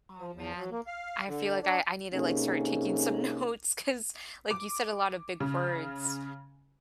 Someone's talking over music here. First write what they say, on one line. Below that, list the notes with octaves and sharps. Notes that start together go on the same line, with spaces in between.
Oh man, I feel like I I need to, like, start taking some notes 'cause like you said a lotta big words,
F3
E2
F#3
A#3
F5
D3
D4
C3 A#3 C#4 D#4 G#4 A4
D6
C#3